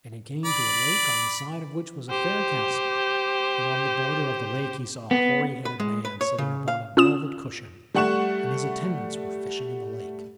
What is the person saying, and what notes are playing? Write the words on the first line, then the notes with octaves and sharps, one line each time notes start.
And he came to a lake on the side of which was a fair castle, and on the border of the lake he saw a hoary-headed man sitting upon a velvet cushion, and his attendants were fishing in the lake.
D5 B5
G4 C5
B3
B4
G#3
B4
C#5
C#3
F5
C#4 F4 D#6 E7
G3 A3 F#5 C#6 E7